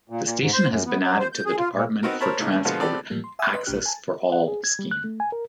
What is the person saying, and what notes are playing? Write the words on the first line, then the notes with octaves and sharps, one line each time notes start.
The station has been added to the Department for Transport "Access for All" scheme.
A#2
A#2
G#2
C5
F#2
B3
F#3
C5
G6
G#4
F4
A#2
B3 C4 D#4 F#4 A#4
A#4 C5 C#5 A5 B5
A2 C#3 D#4
D#2
B2 D3 F3 G#3 A#3 B3
B3 C4 G4 A4 D5
A2 E3 F3 G3 A#3
C6
E5 F#5 G#5 D#6 E6
B4 D#5 B5 C6 F#6
A#1 A#2 D4 G4 F6 F#6
G#5 A5
F#5
G#4
G#6
G3
F#6
A3
G#5
A#4